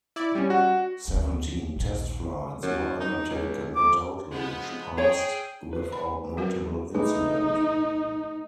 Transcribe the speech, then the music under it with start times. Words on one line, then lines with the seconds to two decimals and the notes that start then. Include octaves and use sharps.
Seventeen test flights were undertaken in total, which passed without notable incident.
0.16 E4 D5
0.35 G3 C#4
0.50 F#4
1.08 D2 C#3
1.76 A#1 D#2
2.63 F#2
3.00 D#4
3.30 C#2
3.75 F2 D6
4.32 F3 G#3 B3
4.98 G#4 C#5 G5
5.73 B4 C5
5.92 B5
6.37 F#3 F#4 A#4
6.95 A3 D4 D#4 G#4 B4